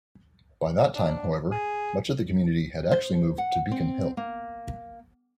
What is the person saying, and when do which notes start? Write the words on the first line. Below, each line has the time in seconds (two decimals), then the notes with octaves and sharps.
By that time, however, much of the community had actually moved to Beacon Hill.
0.95 D4
1.52 G#4
2.91 C5
3.38 F#5
3.71 C4
4.17 A#3